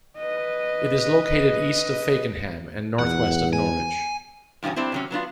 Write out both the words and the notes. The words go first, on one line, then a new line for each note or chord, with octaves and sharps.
It is located east of Fakenham and north-west of Norwich.
B4 D#5
E2 F#5
G#5
E2 G2 B2 F3 C#4
G3 C4 D4 E4
C3 F#3 C#4
F#3 B3 D4 F4